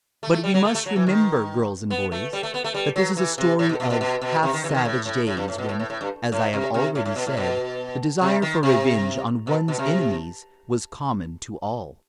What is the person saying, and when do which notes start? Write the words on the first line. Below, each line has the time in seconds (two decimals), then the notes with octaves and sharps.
But we must remember, girls and boys, that this is a story of half-savage days when, as I have already said, the desire for revenge on one's enemies was common to all.
0.23 A3
0.33 A3
0.44 G3
0.54 F#3
0.65 A3
0.75 A3
0.86 F#3
0.96 E3
1.07 D#3
1.90 B3
2.12 A3
2.33 G3
2.43 A3
2.54 B3
2.64 A3
2.74 G3
2.96 F#3
3.17 E3
3.38 C3
3.59 A2
3.69 B2
3.80 B2
3.90 B2
4.01 B2
4.21 B2
4.43 C3
4.53 D#3
4.64 E3
4.69 C3
4.74 D#3
4.85 A2
5.05 A2
5.27 A2
5.37 G2
5.48 A2
5.58 B2
5.69 A2
5.80 A2
5.90 A2
6.01 G2
6.32 A2
6.53 C3
6.74 C3
6.95 A2
7.06 A2
7.16 B2
7.27 A2
7.37 B2
8.21 C3
8.42 D#3
8.63 C3
9.47 B2
9.68 B2
9.79 C3